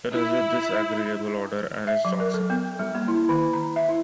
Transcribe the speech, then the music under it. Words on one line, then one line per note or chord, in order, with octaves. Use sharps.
It has a disagreeable odor and is toxic.
E4
E5
F#3
A#4
A4
B3
G3
A#3
E4
D#3
A#5
E5
E4